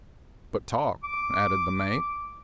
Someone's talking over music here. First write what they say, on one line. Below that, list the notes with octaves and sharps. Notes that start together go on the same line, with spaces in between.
"But talk," added the mate.
D6